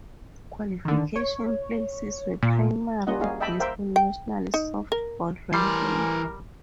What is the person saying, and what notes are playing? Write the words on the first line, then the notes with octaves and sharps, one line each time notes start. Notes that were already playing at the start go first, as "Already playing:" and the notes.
Qualification places were primarily based on national softball ranking.
D3 D#3
C#5
A#2
G3 A#3 C#4 F4 D#5 F#5
D#4 F#4 G#4 F5
D#5 E5 G5 A5 B5
A#4 C5 E5 F5 G5
G5
D#4
A#4
E3 G3 A#4 C6